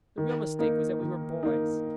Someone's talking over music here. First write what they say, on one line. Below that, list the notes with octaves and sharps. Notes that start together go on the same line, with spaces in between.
The real mistake was that we were boys.
D#3
A#3 D#4
D#3
A#3 D#4